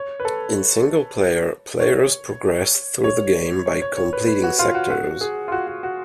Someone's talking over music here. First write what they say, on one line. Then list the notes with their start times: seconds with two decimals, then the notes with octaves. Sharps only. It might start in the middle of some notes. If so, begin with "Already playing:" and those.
In singleplayer, players progress through the game by completing sectors.
Already playing: C#5
0.20 B4
0.25 A4
1.80 C#5
3.04 C#5
3.66 C#5
3.82 C#5
3.97 C#5
4.13 B4
4.27 B4
4.43 F#4
4.59 F4
4.75 F#4
4.91 F#4
5.21 G#4
5.48 F4
5.52 F#4
5.68 F#4
5.83 F#4